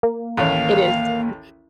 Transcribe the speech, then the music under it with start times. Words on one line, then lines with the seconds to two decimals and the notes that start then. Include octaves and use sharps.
It is.
0.03 A#3
0.37 A1 D#2 C#5 F5